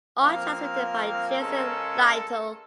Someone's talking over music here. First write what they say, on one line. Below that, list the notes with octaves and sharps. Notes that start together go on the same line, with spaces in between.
All tracks written by Jason Lytle.
F3 A#3 C4 F5
C#3 G#3 A4 A#4